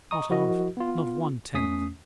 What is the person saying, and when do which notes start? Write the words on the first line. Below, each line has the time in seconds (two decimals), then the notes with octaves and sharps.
Not half--not one-tenth.
0.11 D#5 A#5 C#6 D#6
0.30 F3 E4 F#4 A#4 D#5
0.77 B3 F4
1.54 E2 A3 C#4 D#6 B6 C7